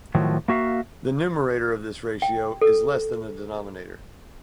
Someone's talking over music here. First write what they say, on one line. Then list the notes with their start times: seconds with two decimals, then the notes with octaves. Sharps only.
The numerator of this ratio is less than the denominator.
0.15 A2 D#3 F3 F#3
0.48 A#3 F#4 E5 F5
2.22 G5
2.61 A4